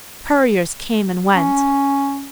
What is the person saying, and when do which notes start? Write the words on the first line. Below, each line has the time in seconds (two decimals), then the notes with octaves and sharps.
Couriers came and went.
1.36 C#4